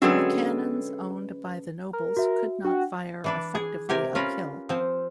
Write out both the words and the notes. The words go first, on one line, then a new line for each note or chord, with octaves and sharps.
The cannons owned by the nobles could not fire effectively uphill.
D3 F#3 G#3 C4 C#4 G#4 A4 B4
A#4
F#4 E5
D4 F#4 G5
E3 D4 B4
G#4
C3 G4 A#4 G#5
C#4 F4 A#4 B4
F3 C4